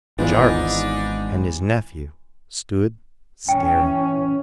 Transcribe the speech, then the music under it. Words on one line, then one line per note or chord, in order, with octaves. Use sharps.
Jarvis and his nephew stood staring.
G#1 G#2 E3 B3 D4 D#4 F4
E3 C#4 G5